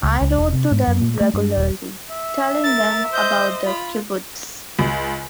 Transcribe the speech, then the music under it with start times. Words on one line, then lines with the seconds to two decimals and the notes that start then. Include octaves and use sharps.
I wrote to them regularly, telling them about the kibbutz.
0.03 C#2
0.21 C#2
0.38 E1
0.53 C3
0.71 G#2
0.87 F#2
1.01 A#2
1.21 A3
1.34 G2
1.57 D#1
2.10 E5
2.64 A#4 A6
3.13 C5 D#5 G6
3.66 F4 B5
4.79 C#2